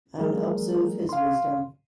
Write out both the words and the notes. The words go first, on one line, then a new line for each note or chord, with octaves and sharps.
And observe his wisdom.
F3 G3 A3 G#4 A#4
F5 C6